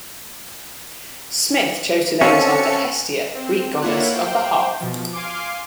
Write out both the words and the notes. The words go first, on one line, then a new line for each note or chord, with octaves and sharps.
Smyth chose to name it after Hestia, Greek goddess of the hearth.
C4 C#4 F#4 A4 F5 C#7
C4
A#3 E4 F4 C#5 F#5
C5 G5
B2 F3
F5 G#5 C6 D6